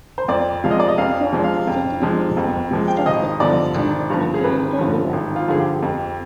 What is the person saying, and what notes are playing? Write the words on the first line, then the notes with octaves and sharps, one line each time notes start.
Buford's city limits are west of the Eastern Continental Divide.
C5
F2 D5
C3 F3 G#3 F5
D#5
D5
D#5
F2 F5
C3 F3 G#3
F5
F2
C3 F3 G#3
F2
C3 F3 G#3
G5
F5
G#1 D#5
G2 D3 F3 D5
G#1
G2 D3 F3
G#4
G#1 B4
G2 D3 F3
G#1
F4
G2 D3 F3 G#4
G4
F2